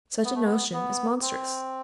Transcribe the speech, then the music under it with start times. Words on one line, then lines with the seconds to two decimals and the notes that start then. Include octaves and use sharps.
Such a notion is monstrous.
0.24 B3
0.35 A3
0.45 B3
0.73 B3
1.22 C4